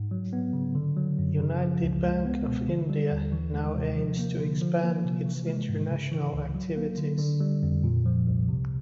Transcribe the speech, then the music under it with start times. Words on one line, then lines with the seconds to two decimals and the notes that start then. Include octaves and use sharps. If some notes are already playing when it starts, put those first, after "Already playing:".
United Bank of India now aims to expand its international activities.
Already playing: G#2
0.11 F#3
0.33 B3
0.53 C#3
0.75 D3
0.97 F#3
1.19 F#2
1.39 C#3
1.61 F3
1.83 C#2
2.04 G#3
2.26 B3
2.47 B2
2.68 D3
2.90 G3
3.11 D#2
3.32 E3
3.54 G#3
3.76 C3
3.98 F3
4.19 A#3
4.40 D3
4.61 F3
4.84 A#3
5.05 C3
5.25 E3
5.47 G#3
5.69 G#2
5.90 C#3
6.12 E3
6.33 C#2
6.54 F#3
6.77 A#3
6.98 D3
7.19 D3
7.40 G3
7.63 F2
7.84 A#2
8.06 F3
8.27 C2
8.49 C3